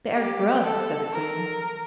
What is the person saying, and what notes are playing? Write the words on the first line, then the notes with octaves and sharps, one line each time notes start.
"They are Grubs," said the Queen.
G4
A4
A#4